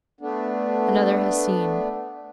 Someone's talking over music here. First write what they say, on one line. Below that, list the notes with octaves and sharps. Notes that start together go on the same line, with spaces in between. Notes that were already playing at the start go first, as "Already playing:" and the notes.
Another has seen....
A3 B3 D4